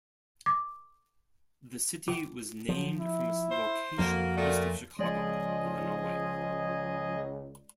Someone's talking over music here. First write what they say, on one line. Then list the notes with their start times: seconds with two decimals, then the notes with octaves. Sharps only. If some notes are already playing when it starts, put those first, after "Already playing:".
The city was named from its location east of Chicago, Illinois.
0.46 D6
2.08 F4
2.69 F3 F#3
2.98 E4
3.51 C5
3.99 F2 A#3 F#4
4.37 A#2 A3
4.99 C#2 F3 G#3 G#4 D5 D#5